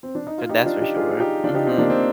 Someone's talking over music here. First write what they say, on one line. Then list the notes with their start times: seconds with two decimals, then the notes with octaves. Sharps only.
So that's for sure. Mhm.
0.03 C4
0.15 D4
0.27 D#4
0.38 F4
0.49 D#4 G4
0.65 D4 F4
0.81 D#4 G4
0.96 F4 G#4
1.20 D#4 G4
1.44 D4 F4
1.55 D#4 G4
1.66 C4 D#4
1.78 A#3 D4
1.90 C4